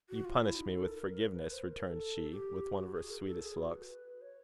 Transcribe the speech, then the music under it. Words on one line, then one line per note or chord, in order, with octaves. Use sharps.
"You punish me with forgiveness," returned she, with one of her sweetest looks.
F#4
F4
E4
D#4
A4
A#4
B4
C5
A#4
A4
G4
F#4
G#4
A#4
A4
G#4
F#4
B4
C#5